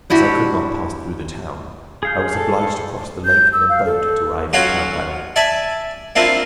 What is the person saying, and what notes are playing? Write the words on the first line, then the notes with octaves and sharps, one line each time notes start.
As I could not pass through the town, I was obliged to cross the lake in a boat to arrive at Plainpalais.
D4 E4 F#4 G4
G#4 F5 G6
A4
G6
E6
F5
A4
F#3 C#4 F4 F#4 C#5
D5 E5 G#5 A5
A#3 C4 D4 E4 F4